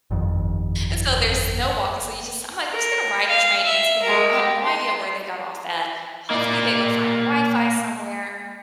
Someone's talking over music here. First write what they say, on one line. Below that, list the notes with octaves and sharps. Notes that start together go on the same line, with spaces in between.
And, so there's no walking, so you just I'm like, "We're just gonna ride the train into the mall. I have no idea where they got off at. Hopefully, they go find Wi-Fi somewhere,
G1 F2 D#3
A#4
F5
E5
G#3 A#4
G4
C6
A#3 D5